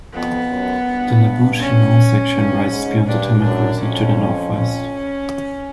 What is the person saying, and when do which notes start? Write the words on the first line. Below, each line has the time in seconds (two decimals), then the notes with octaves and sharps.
The Labuche Himal section rises beyond the Tamakosi to the northwest.
0.14 F2 B3
0.50 F#2
0.87 G2
1.60 C#4
2.34 G2
2.71 G#2
3.07 G2 D4
3.43 F#2 D4
3.80 F2 C#4
4.54 C#4